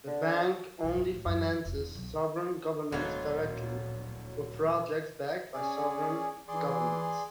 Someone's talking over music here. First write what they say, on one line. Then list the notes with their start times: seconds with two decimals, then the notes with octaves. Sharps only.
The Bank only finances sovereign governments directly, or projects backed by sovereign governments.
0.07 D3
0.83 B1
0.97 G2
1.12 A2
1.26 F#2
1.51 E3
1.65 E1
1.78 E2
1.95 B1
2.92 D1 A#1 G#2 B2 F#3 A3 F4
5.54 C#4 G#4 D5
6.48 E3 G#4 D5 C6